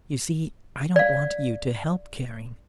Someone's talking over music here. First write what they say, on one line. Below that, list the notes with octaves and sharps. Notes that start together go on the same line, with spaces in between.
"You see--I don't want you to help caring."
D5 F5